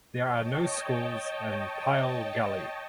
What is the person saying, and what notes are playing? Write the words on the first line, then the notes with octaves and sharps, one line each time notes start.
There are no schools in Pile Gully.
C#5 D#5 G5 A5